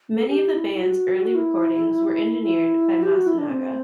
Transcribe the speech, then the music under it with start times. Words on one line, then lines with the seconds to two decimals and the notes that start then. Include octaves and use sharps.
Many of the band's early recordings were engineered by Masunaga.
0.16 A4
0.28 G4
0.54 E4
0.74 E4
0.81 F#4
1.35 E4
2.42 E4
3.03 G4
3.15 F#4
3.26 E4
3.38 D4
3.50 C4